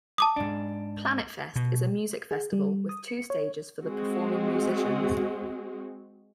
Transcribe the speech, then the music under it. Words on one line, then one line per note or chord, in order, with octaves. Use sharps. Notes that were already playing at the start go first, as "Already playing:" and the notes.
Planetfest is a music festival with two stages for the performing musicians.
A5 D6 D#6
G#2 D4
B2
G#4
G3
D#6
C#7
C#5
G#3 C4 F#4